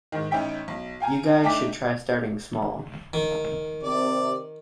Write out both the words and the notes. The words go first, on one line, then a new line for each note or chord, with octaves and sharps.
You guys should try starting small.
G#2 D#3
A1 C#4 D#4 E5 G5 B6
B1
F5 G5 G#5 A#5
A3 D4 D#4 G5 D6 B6
D#3
C3 D5